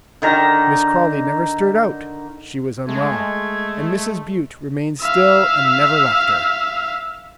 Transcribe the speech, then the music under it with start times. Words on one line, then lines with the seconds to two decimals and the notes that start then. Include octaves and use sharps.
Miss Crawley never stirred out--she was unwell--and Mrs. Bute remained still and never left her.
0.22 D3 D#3 A#5
2.89 G#3 A3 G#6
5.01 E5 F5